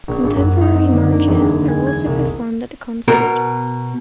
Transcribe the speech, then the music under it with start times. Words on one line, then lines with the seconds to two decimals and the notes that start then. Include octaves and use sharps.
Contemporary marches are also performed at the concert.
0.08 A#1
0.24 G#1
0.36 F#2
0.61 D#4
0.74 C4
0.92 D3
1.12 A#3
1.28 E1
1.40 G#3
1.68 G#5
1.86 G#6
2.06 C2
3.08 B2 A#4